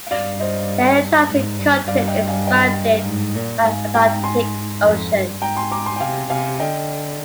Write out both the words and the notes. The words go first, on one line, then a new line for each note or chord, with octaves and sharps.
The Antarctic continent is surrounded by the Antarctic Ocean.
G2 D5 F5
C5 D#5
G#2
G2
G2 D5 F5
D#5 G5
F5 G#5
D#5 G5
G#2
A#2
G#2 F5 G#5
G5 A#5
G#5 C6
F2
G2
G#2 G5 A#5
G#5 C6
A#5 D6
G#5 C6
G5
C3 F5 G#5
C3 F5 G#5
D3 D#5 G5